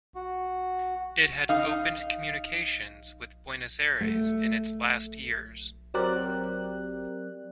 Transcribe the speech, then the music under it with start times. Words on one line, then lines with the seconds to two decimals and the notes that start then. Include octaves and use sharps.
It had opened communications with Buenos Aires in its last years.
0.15 F#4
1.49 D#4 F5
4.01 A3
5.94 F#3 C4 G4 A#4 D5 F#6